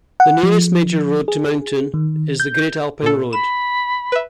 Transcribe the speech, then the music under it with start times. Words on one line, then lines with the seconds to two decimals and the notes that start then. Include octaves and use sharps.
The nearest major road to mountain is the Great Alpine Road.
0.20 F#5
0.43 F3
1.28 G#4
1.94 D#3
2.40 G6
3.02 A#2 A4
3.33 B5 E7
4.12 B4 E5